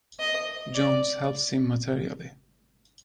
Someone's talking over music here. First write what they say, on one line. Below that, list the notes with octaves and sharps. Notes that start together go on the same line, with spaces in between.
Jones helps him materially.
D#5
D5